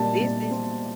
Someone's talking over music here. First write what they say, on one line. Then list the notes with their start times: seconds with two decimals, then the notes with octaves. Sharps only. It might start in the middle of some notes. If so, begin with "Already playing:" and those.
This is"
Already playing: A#2 G3 A5
0.20 A#2
0.51 C4